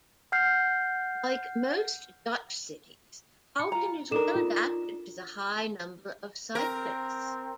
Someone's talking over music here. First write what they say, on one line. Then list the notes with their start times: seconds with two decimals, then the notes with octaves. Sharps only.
Like most Dutch cities, Houten is well adapted to the high number of cyclists.
0.32 F#5 F6 G6 C7
3.59 B5 C#7
3.72 F4 A#5
4.11 D4 D#4 A4 A#4 E7
4.35 F4
6.55 C4 A#4